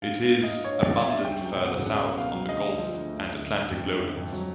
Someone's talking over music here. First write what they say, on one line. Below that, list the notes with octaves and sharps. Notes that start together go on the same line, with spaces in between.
It is abundant further south on the Gulf and Atlantic lowlands.
G2 F5
G2
F5
G2
D#5
G2
G2 C#5
G2 D5
G2
E5
G2
C#2 G5
F#3 G5
B2
F#5
C#2
C#2 F#5
C#2
B2 F5
F#3
D2 D#5
D3
F3
D2
D2
D2
D2
D2
F2
D3
D3
F2
F#3